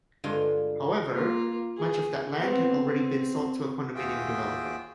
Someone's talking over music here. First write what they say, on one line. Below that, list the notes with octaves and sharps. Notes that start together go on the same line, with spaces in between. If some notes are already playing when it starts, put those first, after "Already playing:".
However, much of that land had already been sold to a condominium developer.
G2 D3 G#3 F4
A#3 F4
G#4
B3 C4
C4
D#2 F4 F#4 G#4 E5 G5